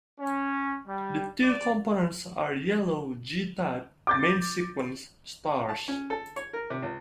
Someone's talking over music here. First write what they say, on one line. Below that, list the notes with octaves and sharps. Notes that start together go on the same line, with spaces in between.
The two components are yellow G-type main-sequence stars.
C#4
G3
D5
D6 G6 A6
A5
C#4
A4
C#5
A#4
C3
C#2